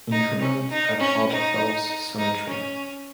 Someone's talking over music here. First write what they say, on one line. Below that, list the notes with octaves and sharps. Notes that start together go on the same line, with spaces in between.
Interment at Odd Fellows Cemetery.
D#4
C#4
D#4
C#4
D#4
D#4
C#4